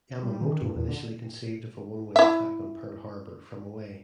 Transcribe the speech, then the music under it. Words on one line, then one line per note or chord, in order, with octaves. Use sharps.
Yamamoto initially conceived of a one-way attack on Pearl Harbor from away.
G3
D#3
G2
E2
D3
E4 E5